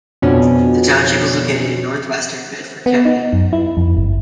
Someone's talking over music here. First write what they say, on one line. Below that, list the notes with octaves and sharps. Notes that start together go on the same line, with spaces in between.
The township is located in northwestern Bedford County.
F2 B2 C#4 D4
B3
D#4
F#2
E4
F2
G1